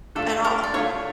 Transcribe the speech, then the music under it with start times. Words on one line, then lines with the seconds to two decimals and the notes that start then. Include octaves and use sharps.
at all,
0.15 D3 A3 D4 F4 A4
0.44 A#4
0.63 D5
0.73 D3 A3 D4 F4 C#5